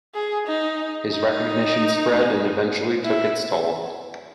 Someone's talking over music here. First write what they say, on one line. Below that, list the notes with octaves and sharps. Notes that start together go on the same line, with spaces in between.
His recognition spread and eventually took its toll.
G#4
D#4
D#4
E4